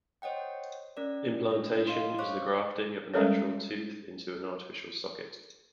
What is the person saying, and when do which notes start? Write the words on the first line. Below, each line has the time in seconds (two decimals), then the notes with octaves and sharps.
Implantation is the grafting of a natural tooth into an artificial socket.
0.22 C5 C#5 D#5 F#5 G5
0.97 C#4 A#4 D5
1.51 A3 D4
1.87 D#5 F5 C6
2.19 C5 C#5 F5 C#6 D6 F#6
3.14 G3 G#3 C#4 A4 A#4 C#5